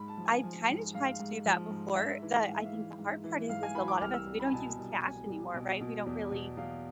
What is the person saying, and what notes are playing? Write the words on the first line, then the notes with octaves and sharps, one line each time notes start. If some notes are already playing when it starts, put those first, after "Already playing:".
I kinda tried to do that before, but I think the hard part is is a lot of us, we don't use cash anymore, right? We don't really
Already playing: G#2 B5
A5
F3
G#5
F3
G#2
G#2 F5
G#2
F3
G#2
G#2 E5
E3
G#2 F5
E5
F5
E3
G#2
E3
G#2 F5
G#5
E3 B5
D6
C2 F6
E6
C2
B5
G#5
B2 A5
C2
C2 G#5
C2
B2
B2
E2
B2
E2 F5